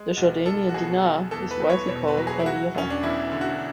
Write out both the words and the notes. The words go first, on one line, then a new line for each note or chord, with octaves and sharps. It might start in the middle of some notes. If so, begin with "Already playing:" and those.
The Jordanian dinar is widely called a "lira".
Already playing: G#3
B1 F#4
B1 A4
F#4
B2 G#4
F#3
E2 A4
B4
E2
C#5
B2 C#5
B4
F#3
G#4
E4
F#3 F#4
E1 C#4
D4
E2 E4
D3
F#4